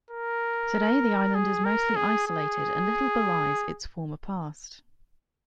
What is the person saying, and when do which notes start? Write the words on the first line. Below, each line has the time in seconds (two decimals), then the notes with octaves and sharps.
Today the island is mostly isolated and little belies its former past.
0.11 A#4
1.35 G#4
1.65 A#4
1.96 G#4
2.27 G#4